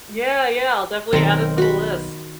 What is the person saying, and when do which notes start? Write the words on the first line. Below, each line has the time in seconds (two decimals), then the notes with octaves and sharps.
Yeah, yeah, I'll definitely add it to the list.
1.13 B1 D#3 C4 A#4
1.58 F#4 B5